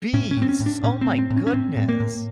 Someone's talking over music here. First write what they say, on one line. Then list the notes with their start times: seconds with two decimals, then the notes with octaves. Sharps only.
beasts. Oh my goodness.
0.14 A2 C#4
0.31 C#4
0.37 A2 C4
0.49 C#4
0.60 A2
0.66 D4
0.84 A2 C#4
1.01 C4
1.07 A2
1.19 C4
1.30 A2
1.36 C#4
1.47 C#4
1.53 A2 C4
1.77 A2
1.89 A#3
2.00 A2